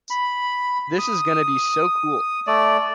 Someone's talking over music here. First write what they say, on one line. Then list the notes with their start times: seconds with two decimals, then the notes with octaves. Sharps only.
This is gonna be so cool.
0.10 B5
0.99 D#6
2.47 A3 D5